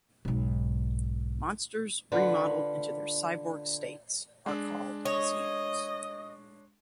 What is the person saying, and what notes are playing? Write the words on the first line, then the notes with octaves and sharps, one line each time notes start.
Monsters remodeled into their cyborg states are called as units.
B1 G#2
D3 F4 B4
G#3 D4
C#5 D#5